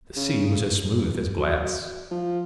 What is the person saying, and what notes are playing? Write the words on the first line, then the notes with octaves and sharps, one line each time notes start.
The sea was as smooth as glass.
C#3
F#3
F3